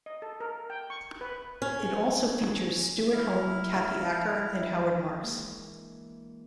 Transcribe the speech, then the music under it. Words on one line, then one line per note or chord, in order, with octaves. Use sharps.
It also features Stewart Home, Kathy Acker and Howard Marks.
D#5
A4
A#4
G5
C#6
B4
C#4
E4 F6
E3 G#3 A#3 D4 E4